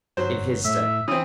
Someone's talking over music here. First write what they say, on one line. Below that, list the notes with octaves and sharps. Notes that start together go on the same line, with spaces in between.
In his day!...
G1 F#3 C5
A2 E5
C#3 E3 C4 D#6